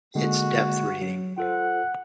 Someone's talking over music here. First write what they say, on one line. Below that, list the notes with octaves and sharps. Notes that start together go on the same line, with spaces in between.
It's depth reading.
D3 G#3 A#3 F#4
F#3
F4 A4 C5 F#5